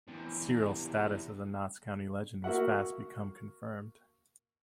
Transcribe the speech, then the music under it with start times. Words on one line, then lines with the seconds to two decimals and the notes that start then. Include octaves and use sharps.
Sirrel's status as a Notts County legend was fast become confirmed.
0.08 E2 C3
2.44 A#3 F#4 E5 F#5